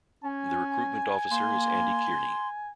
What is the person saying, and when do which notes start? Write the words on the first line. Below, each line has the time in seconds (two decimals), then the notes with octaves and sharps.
The Recruitment Officer is Andy Kearney.
0.24 C#4 G#5
1.31 A#3 C6